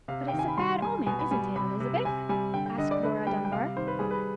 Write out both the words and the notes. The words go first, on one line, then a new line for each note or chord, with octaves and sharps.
"But it's a bad omen, isn't it, Elizabeth?" asked Laura Dunbar.
C3 F5
G5
D#3
G#5
B5
G3 C6
G3 G#5
B2 G#5
B5
G3 G#5
C3 B5
C3
C3 G#5
G3 G#5
D3 G5
G5
D3 D#5
D5
D3 B4
G3 G5
G5
C3 F5
D#3 C5
B4
G3 G#4
B4